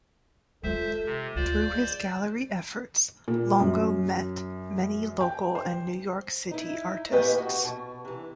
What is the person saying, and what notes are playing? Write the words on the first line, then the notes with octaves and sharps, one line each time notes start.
Through his gallery efforts, Longo met many local and New York City artists.
G#3 F4 A4 C5 E5
C3
D2 F4 C5 D5
G#3
A#2
F#2
G5
C5
D#4 E4
A2 A#3 G4 B4 D#5 G#5
F#4
B2
C3 E3